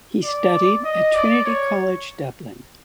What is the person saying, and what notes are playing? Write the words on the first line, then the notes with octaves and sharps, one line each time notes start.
He studied at Trinity College Dublin.
D5
D#5
D5
C#5